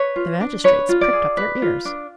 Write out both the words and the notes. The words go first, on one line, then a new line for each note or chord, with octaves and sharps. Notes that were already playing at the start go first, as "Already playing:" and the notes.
The magistrates pricked up their ears.
Already playing: B4 C#5
F4
D4
B4 C#5
F4
D5
G#4
B4
F4
D4